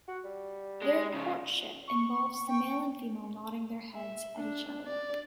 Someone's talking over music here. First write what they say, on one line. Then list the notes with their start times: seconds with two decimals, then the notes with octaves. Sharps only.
Their courtship involves the male and female nodding their heads at each other.
0.08 F#4
0.24 G3
0.82 G#3
1.14 C#3 F3
1.88 C#6
2.47 G5
3.94 E5
4.37 D4
4.87 D5